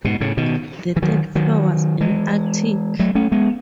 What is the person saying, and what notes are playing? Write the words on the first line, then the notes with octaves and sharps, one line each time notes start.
The third floor was an attic.
G#2 B2
A2 C#3
B2 D#3
E3
D#3 F#3
D#3 F#3
E3 G#3
F#3 A3
A3 C#4
G#3 B3